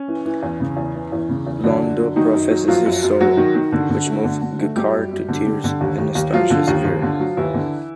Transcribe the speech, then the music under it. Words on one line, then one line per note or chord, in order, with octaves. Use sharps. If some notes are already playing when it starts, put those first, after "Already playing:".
Londo professes his sorrow, which moves G'Kar to tears and astonishes Vir.
Already playing: C#4
E3
E3
E2
C#3
E2
E3
E2
C#3
E2
D3 F#3 D4
F#2
F#3
D#3 F#3 D#4
F#2
F#3
F3 F#3 F4
F#2
F#2
F#3 F#4
D#3
D#3
D3
D3
A3
D3
D3
A3
F#3 G3 G4
F#2
F#2
D3
D3
D3
D#2
D#2
D#2
F3 F#3 F4
D3
D#2
D#2
D3
F#3
D#2 E3 E4
D3